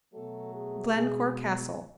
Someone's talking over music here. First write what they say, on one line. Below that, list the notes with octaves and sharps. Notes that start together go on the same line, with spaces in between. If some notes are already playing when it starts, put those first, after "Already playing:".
Glencore Castle.
B2 F#3 A3 A4
G#4
B2 G#3 G#4